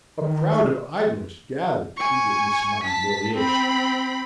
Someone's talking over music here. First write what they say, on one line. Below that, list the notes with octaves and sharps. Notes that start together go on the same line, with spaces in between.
A crowd of idlers gathered to witness my humiliation.
D#3
G#5 C#6
A5 B6
C4 B5